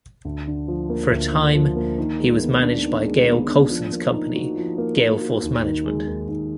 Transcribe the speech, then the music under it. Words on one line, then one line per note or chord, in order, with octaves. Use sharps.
For a time, he was managed by Gail Colson's company, Gailforce Management.
D2
D3
F3
A#3
D2
D3
F3
A#3
D#3
G#3
B3
D4
D#3
G#3
B3
D4
F3
A#3
D#4
F#4
F3
A#3
D#4
F#4
D#2
D#3
G#3
D#2
D#2